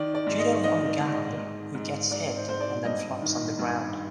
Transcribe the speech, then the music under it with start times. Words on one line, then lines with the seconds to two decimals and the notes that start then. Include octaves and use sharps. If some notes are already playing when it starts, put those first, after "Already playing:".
You don't want a guy who gets hit and then flops on the ground.
Already playing: D#3 D5
0.15 D5
0.27 G#2
0.39 D#5
0.64 D#3 D#5
1.00 G#2
1.38 G#2
1.75 G#2
2.11 G#2 D5
2.36 C5
2.49 G#2 C5
2.61 D5
2.85 G2 D#5
3.22 D#3
3.59 G2